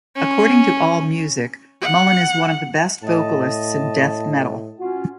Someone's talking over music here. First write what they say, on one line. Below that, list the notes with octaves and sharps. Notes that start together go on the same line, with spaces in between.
According to AllMusic, Mullen is one of the best vocalists in death metal.
C#4
F#5
A2 D#5 A5
C#4 F4 F#4